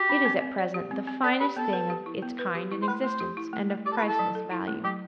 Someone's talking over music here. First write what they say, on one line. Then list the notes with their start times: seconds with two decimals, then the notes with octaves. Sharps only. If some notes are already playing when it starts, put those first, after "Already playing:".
It is at present the finest thing of its kind in existence and of priceless value.
Already playing: F#4 G4
0.09 D4
0.25 C4
0.42 C4
0.58 D5
0.74 G4
0.91 C4
1.08 C4
1.24 A4 D5
1.40 G4 B4
1.57 B3 A4
1.73 B4
1.90 G4
2.06 E4
2.22 B3
2.39 B4
2.55 G4
2.72 E4
2.82 C5
2.88 A3 B4
3.04 A3 C5
3.20 G4
3.37 E4
3.53 A3
3.70 A3
3.86 G4 D5
3.92 A4
3.97 B4
4.02 E4
4.07 A4
4.19 F#3
4.35 A4
4.51 E4
4.68 A3
4.84 F#3 G4